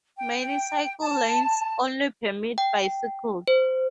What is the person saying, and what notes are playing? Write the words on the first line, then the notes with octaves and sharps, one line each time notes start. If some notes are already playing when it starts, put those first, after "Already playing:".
Many cycle lanes only permit bicycles.
G5
A5
G5
C5